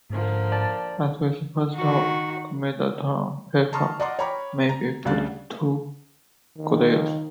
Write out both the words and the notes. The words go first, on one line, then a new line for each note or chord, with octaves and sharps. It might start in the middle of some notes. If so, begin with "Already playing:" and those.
As with pastel, a mid-toned paper may be put to good use.
G#2 D3 F3 A#3
D5 A5
D#3 F#4
A5 A#5 C6 C#6 D#6 F6
D5 D#5 F#5 A#5 C6 D6
C#5 G5 A#5 B5 C#6 D6
A#5
D2 C#3 G3 F5 F#6 A6
D#3